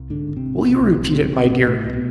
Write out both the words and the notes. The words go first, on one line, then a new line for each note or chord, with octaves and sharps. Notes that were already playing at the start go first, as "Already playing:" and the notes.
Will you repeat it, my dear?'
Already playing: C2
G#2 D3 D4
G#1
C3 C4
G#1
B2
C2
C2
G#2 C3 C4
G#1 C3 C4
G#1 B2 B3
A2 C3 A3
C2
B2 B3